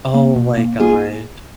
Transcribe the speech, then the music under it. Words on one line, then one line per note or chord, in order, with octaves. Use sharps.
Oh my gosh.
A#3
B2
A#3
A#3 F4 G#4